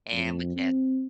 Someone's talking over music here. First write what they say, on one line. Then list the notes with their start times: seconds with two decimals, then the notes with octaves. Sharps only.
And would just
0.12 F2
0.56 C4